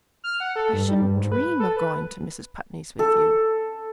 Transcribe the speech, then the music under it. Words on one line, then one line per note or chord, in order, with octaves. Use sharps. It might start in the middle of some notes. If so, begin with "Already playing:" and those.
"I shouldn't dream of going to Mrs. Putney's with you."
F6
F#5
A4
G2
G3
G2
G#2
B4
A4
B4
A4